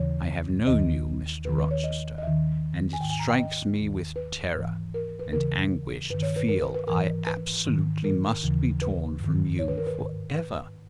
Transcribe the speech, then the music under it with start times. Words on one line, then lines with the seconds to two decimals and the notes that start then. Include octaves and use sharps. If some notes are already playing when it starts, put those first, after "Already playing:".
I have known you, Mr. Rochester; and it strikes me with terror and anguish to feel I absolutely must be torn from you for ever.
Already playing: D#2 C#3 E3 C#5
0.67 D#2 D#3 D#5
1.45 D#2 D#3 B4
1.58 B4
1.71 C#5
1.84 D#5
2.18 D#5
2.23 D#2 D#3 E5
2.93 G#5
3.00 G#2 D#3 G5
3.10 G#5
3.19 A#5
3.29 G5
3.39 D#5
3.77 D#2 D#3
4.16 B4
4.55 G#2 E3
4.94 A#4
5.19 B4
5.33 D#2 C#3 E3 A#4
6.10 G2 D#3 B4
6.22 C#5
6.36 B4
6.49 A#4
6.61 B4
6.74 B4
6.87 G#2 E3 A#4
7.27 B4
7.65 G#2 D#3
8.04 A#4
8.43 D#2 C#3 E3
8.82 B4
9.20 G2 D#3
9.59 C#5
9.68 B4
9.77 A#4
9.87 B4
9.97 G#2 D#3
10.36 B4